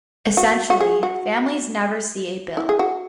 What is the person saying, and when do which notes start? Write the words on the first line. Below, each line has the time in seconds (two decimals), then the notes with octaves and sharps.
Essentially, families never see a bill.
0.37 F#4
0.70 F#4
0.80 G#4
1.03 F#4
2.57 E4
2.69 G#4
2.79 F#4